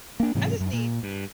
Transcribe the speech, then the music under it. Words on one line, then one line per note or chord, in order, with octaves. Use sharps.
I just need
A#3 D4
G#2 C3 E3 F#3
F#2
A#2
G2